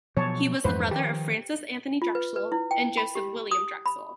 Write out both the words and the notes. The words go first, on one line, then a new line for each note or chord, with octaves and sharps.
He was the brother of Francis Anthony Drexel, and Joseph William Drexel.
B2 F3 F#3 C#5 A5
F2 G#2 E3 B4 C5
D#3 F3 G4
F4
B4
B4
E4
G5
B5
G4
D#6
B5